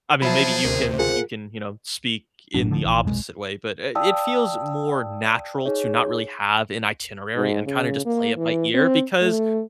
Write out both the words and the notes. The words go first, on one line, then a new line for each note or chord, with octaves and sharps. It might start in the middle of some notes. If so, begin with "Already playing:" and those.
I mean, maybe you can you can, you know, speak in the opposite way, but, eh, it feels more natural to not really have an itinerary and kinda just play it by ear because
F3 F#3 G#4 C5 E5 A5 B5
D2 C3 A#4
F4 G#4 A#4 F#5
G1 A2 F#3 D4
D1 D3 F3
A#1 E3
F1 B1 G#3
D5 F5 G5 A5 D#6 E6
D#4 G#4 C#5
G#2
C#3
A#3
E3
C4
A3